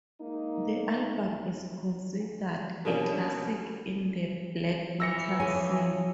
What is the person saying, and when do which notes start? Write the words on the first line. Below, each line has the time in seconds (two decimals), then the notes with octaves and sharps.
The album is considered a classic in the black metal scene.
0.21 G#3 A#3 D#4
2.85 B2 F#3 G3 A#3 C#4 D4
5.00 E3 E6 A#6 C#7
5.40 F3 G#4 C#5 G#5